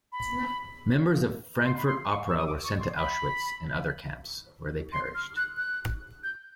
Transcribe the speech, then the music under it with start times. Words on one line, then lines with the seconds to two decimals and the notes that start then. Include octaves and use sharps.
Members of Frankfurt Opera were sent to Auschwitz and other camps where they perished.
0.12 B5
1.65 C6
1.77 B5
1.87 C6
2.09 C#6
2.29 E6
2.37 D#6
2.47 D6
2.64 C#6
2.80 C6
2.96 B5
4.92 C6
5.15 F6
5.37 F#6
5.58 F#6
6.23 G6